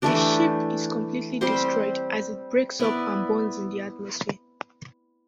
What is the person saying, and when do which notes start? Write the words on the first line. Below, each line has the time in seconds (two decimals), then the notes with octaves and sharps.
The ship is completely destroyed as it breaks up and burns in the atmosphere.
0.02 E3 A3 D4 G4
1.41 G3 C4 G4 C5
2.79 B3 E4 B4 D5